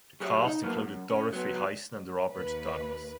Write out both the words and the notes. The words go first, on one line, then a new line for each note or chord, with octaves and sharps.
The cast included Dorothy Hyson and Robert Douglas.
F#3 G4 G#4 C#5 D5 E5
D#4
F3 F#3 A#3 B3
F#2
C#4
F#3 B3
D#2 B4